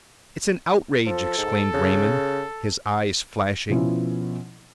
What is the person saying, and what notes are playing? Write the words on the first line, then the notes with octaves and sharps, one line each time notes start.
"It's an outrage!" exclaimed Raymond, his eyes flashing.
F3 A4
G#2
C#3
B2 F3 C#4 E4